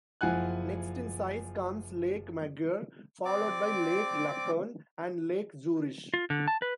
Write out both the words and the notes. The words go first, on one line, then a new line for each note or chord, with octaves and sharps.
Next in size comes Lake Maggiore, followed by Lake Lucerne and Lake Zurich.
F#1 F3 E4 F#5 G#5 F#6
C4 D5 D6
F4
D3
A5
B4